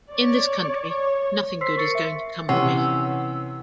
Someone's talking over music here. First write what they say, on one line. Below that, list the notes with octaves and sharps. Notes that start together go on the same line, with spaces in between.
In this country nothing good is going to come of me.
C#5 D5
C#5
C5 C6 E6 B6 C7
A#4 C#6 A6 C#7
E5
C3 E3 C#4 F#5 E6